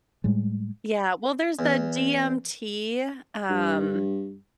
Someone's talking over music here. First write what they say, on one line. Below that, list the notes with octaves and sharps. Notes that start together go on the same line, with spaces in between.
Yeah, well, there's the DMT, um,
A2 G3 G#3
E2
G2